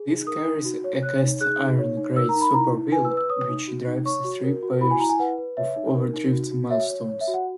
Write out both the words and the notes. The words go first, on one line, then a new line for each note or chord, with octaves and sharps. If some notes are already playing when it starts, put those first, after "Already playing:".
This carries a cast-iron Great Spur Wheel which drives three pairs of overdrift millstones.
Already playing: G#4
D#4
A#4 D#6
D#4
F#4
C#5
C#5 F#6
D#4
G#4 F#6
D#4
C#5
D#4
A#4 E6
A#5
D#4
B5
E4 A#5
E4
B4 G#5
E6
B4
E6
C#5 D#6
D#4
F#4
D#4
C#5 C#6
F#4
A#4
F#4
E4 B5
G#5
E4 A#5
G#5
B4 F#5
B4
C#5 E5
D#4
A#4
D#4
F#4
F#4
C#5 E5
C#5
C#5
E5
F#4
F#5